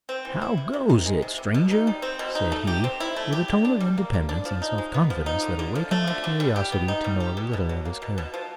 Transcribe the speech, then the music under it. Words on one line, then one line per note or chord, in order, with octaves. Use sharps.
"How goes it, stranger?" said he, with a tone of independence and self-confidence that awakened my curiosity to know a little of his character.
C4
E3
E4
C3
C3
D#3
G#3
C3
C3
B2
D#4
G3
C4
B2
D#4
A3
G4
C4
E4
A3
G4
D3
D4
G3
A#3
D3
D4
F3
D#4
G#3
B3
F3
D#4
D3
D3
F3
A3
D3
D3
G3
G4
B3
D#4
G3
G4
B2
B2
F#3
A#3
B2
B2
F3